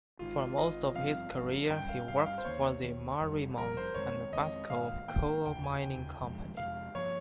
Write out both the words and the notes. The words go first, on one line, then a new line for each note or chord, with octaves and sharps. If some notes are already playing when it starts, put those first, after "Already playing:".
For most of his career he worked for the Mariemont and Bascoup coal-mining company.
G#1 G#2 D#3 F4
G#1 G#2 D#3 D#5
G#1 G2 F3 C4 F5
G#1 G2 F3 C4
G2 G3 C#4 G5
F5
G2 G3 C#4 F5
F5
C5
D#2 D#3 A#3 C#5
D#2 D#3 A#3
F1 F2 D#3 G3
F1 F2 D#3 G3 A#4
C5
F2 D#3 G#3 C4 C#5
F2 D#3 G#3 C4 D#5
G#2 D#3 A#3 F5
G#2 D#3 A#3 G5
F1 D#2 C#3 G5
G#5
F1 D#2 C#3 G5
F2 C3 F3 G#3
F2 C3 F3 G#3 F5
G2 F3 A#3 C#5